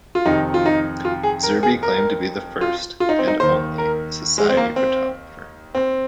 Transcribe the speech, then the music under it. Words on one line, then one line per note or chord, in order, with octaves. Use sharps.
Zerbe claimed to be the first - and only - society photographer.
F4
F2 C3 D#3 D#4
F4
D#4
F4
G#4
A#4
G#4
A#4
F4
F4
D#4
C4
D#4
D#2 D#3 C5
A#4
G#3
C4
A#3
C4
C4